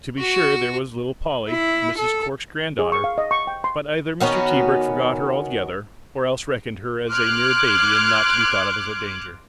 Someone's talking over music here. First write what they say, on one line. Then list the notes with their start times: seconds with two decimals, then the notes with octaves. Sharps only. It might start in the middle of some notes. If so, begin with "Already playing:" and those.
To be sure there was little Polly, Mrs. Cork's granddaughter, but either Mr. Tebrick forgot her altogether, or else reckoned her as a mere baby and not to be thought of as a danger.
0.18 F#4 C#6
1.50 E4
1.98 A4
2.79 G#4
2.92 C#6
3.04 F5
3.18 D#5
3.31 C#6
3.47 G5
3.64 C6
4.20 D#3 B3 C#4 F#4
7.10 C6 D6 F6 F#6 G#6